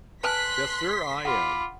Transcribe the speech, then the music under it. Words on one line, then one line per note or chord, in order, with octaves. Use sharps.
"Yes, sir, I am."
B4 G#5 A5 C6 F#6 B6
F4 F#5 B5 D6